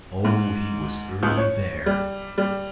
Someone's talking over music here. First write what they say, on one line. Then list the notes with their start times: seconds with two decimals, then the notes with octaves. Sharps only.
Oh, he was early there.
0.25 G#2
1.23 C#2
1.37 C#5
1.86 G3
2.38 G3